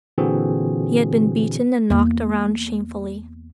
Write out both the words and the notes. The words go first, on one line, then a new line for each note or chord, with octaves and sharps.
He had been beaten and knocked around shamefully.
A#2 D3 E3 C4 F#4 G#4
E2 A#3